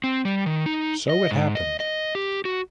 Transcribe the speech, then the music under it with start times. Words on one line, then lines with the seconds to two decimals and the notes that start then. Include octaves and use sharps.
So it happened.
0.04 C4
0.25 G3
0.46 D#3
0.66 D#4
1.09 D#5
1.31 G#2
1.55 D#5
1.80 D#5
2.15 G4
2.45 F#4